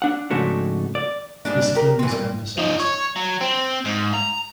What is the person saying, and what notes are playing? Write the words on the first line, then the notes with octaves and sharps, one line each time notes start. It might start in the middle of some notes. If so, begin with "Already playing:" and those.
Discipline was emphasised.
D4 F#5
F2 G#2 C#3 A3 D4 F#4
D5
G#2 G3 D4
D4
G4 A#4
E3 C4
G2 G3 A#3
F3 D#4
C#5
F#3
C4
G#2
A#5